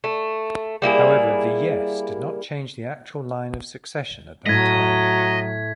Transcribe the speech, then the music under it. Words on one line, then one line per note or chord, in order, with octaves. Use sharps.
However, the 'yes' did not change the actual line of succession at that time.
A3
G3 A#3 E4 G#4
A2 F#3 A3 D#5 G#6 B6